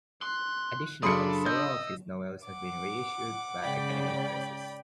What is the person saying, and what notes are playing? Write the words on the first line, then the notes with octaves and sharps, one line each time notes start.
Additionally, several of his novels have been reissued by academic presses.
C6 F#6
F#2 C#3 D4 A4 B5 C6 D#6 C#7
D#5 E6 G6
F#5 D6
G#2 C#3 D5 G5 B5